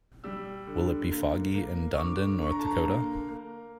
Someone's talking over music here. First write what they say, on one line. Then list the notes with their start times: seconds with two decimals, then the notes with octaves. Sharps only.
Will it be foggy in Dunedin North Dakota?
0.24 G3 E6
0.67 D3
1.11 A#3
1.55 A#3
1.94 C#6
1.98 D3 D6
2.42 D3 C#6
2.51 A#5
2.59 A5
2.67 A#5
2.85 A#3
3.29 A#3